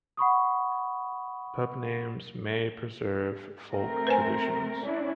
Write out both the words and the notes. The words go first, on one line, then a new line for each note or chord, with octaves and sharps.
Pub names may preserve folk traditions.
F#5 B5 C#6 D#6
A3 C4 A#4
B4 C5 G#5
C#4 D4 E4